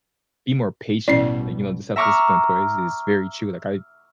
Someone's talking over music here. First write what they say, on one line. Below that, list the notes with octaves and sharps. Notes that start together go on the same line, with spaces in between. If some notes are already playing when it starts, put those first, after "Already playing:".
be more patient, like, you know, the self-discipline place is very true, like, I
A1 B2 G3 C#4 E4 D5 C7
E5 A#5 C#6 D6 E6 F6